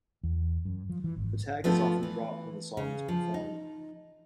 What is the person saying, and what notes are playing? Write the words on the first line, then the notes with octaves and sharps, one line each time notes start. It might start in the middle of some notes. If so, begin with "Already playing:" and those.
The tag is often dropped when the song is performed.
E2
F#2
F3
E3
G#1
F3 A3 B3 C4 D4
E3
C#3
F3
D#4